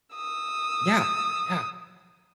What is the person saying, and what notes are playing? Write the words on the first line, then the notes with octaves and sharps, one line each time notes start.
Yeah, yeah.
D#6 E6